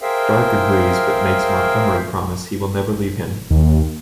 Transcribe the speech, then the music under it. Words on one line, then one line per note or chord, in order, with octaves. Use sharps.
Dark agrees but makes Montgomery promise he will never leave him.
G#4 A#4 C5 E5 F5 G5
D#2